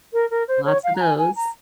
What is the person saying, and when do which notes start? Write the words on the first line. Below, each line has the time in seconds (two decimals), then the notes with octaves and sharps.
Lots of those.
0.12 A#4
0.30 A#4
0.47 C5
0.64 C#5
0.83 F5
0.95 A#5
1.00 G#5
1.17 G#5
1.35 A#5